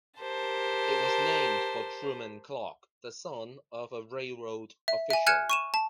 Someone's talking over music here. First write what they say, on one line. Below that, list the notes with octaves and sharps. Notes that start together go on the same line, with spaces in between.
It was named for Truman Clark, the son of a railroad official.
G4 A#4 C5 A5
E5
E5 G#5
G#5 F6 F#6 G#6 C#7 E7
C#6 D#7 E7
A5